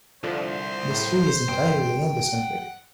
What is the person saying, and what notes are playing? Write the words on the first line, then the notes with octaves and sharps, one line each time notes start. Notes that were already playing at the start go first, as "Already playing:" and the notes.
This tree is entirely endocentric.
C2 D3 F3 C5
A2
G2 G5
F#5